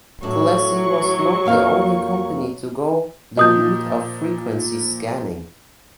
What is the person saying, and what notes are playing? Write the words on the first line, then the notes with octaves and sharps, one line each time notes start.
Plessey was not the only company to go the route of frequency scanning.
A2 F#3 D4 C#6
F2 A#3 F5
A#2 F3 D#5 D#6 G6